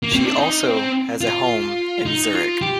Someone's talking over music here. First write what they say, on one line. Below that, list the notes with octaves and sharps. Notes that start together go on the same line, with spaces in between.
She also has a home in Zurich.
A#3
C4
D4
D#4
C4
F4
D#4
F4
G4